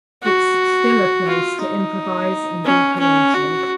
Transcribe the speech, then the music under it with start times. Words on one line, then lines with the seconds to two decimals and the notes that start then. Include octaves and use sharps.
It's still a place to improvise and be creative.
0.23 F#4
1.26 F4
1.61 D#4
2.65 C#4
2.99 C#4
3.34 F#4